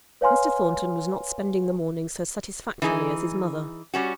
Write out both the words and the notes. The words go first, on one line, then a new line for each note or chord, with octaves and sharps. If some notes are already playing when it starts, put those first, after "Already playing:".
Mr. Thornton was not spending the morning so satisfactorily as his mother.
B4 C#5 F5 G#5 C6 F6
E3 D#4 G#4
G3 C#4 F#4